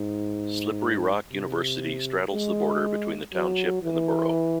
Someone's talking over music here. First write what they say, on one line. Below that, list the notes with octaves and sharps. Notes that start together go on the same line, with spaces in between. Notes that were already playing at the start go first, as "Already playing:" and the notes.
Slippery Rock University straddles the border between the township and the borough.
Already playing: G#2
C3
G#3
F#3
E3